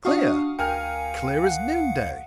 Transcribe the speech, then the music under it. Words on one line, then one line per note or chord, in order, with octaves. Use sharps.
Clear!--clear as noonday!
D4 F#4 F5 C#6 D#6
D2 A#4 F5 G5 G#5 F6 C#7
F#5